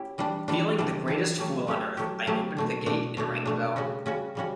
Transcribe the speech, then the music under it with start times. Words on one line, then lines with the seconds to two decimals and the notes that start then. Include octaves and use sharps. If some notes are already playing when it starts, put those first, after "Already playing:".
Feeling the greatest fool on earth, I opened the gate and rang the bell.
Already playing: C#4 E4 G4
0.18 E3 G3 D4
0.48 E3 G3 D4
0.78 E3 G3 D4
1.08 E3 G3 D4
1.38 F#3 A3 C#4 G4
1.67 F#3 A3 C#4 G4
1.97 F#3 A3 C#4 G4
2.27 F#3 A3 C#4 G4
2.57 B2 A3 D4
2.86 B2 A3 D4
3.17 B2 A3 D4
3.46 B2 A3 D4
3.76 C#3 G3 C#4 F#4
4.06 C#3 G3 C#4 F#4
4.35 C#3 G3 C#4 F#4